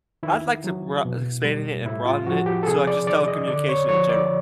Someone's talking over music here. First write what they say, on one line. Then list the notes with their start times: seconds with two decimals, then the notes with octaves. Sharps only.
I'd like to broa e expand it and broaden it to, like, just telecommunication in general.
0.23 D#3 E4
0.64 F#3
1.05 B2
1.45 G3
1.85 A2 E4
2.05 F4
2.27 F3 F#4
2.46 G4
2.63 A4
2.66 C3 G#4
2.87 D5
3.07 D#3 D5
3.28 D#5
3.48 D3 D5
3.69 C#5
3.89 F3 C#5
4.09 D5